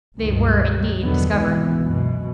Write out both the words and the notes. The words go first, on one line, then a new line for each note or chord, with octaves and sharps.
They were indeed discovered.
C#2 G2 B2 D#3
E2 B2 D3 D#3 F#3 B3
G#1 C#2 G#2 B2 E3 B3
F#2 B2